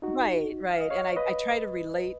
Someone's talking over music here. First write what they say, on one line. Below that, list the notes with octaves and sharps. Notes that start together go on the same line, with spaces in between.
Right, right, and I I try to relate
D#4 F#4
F5
D#5
C#5 F5
B4 D#5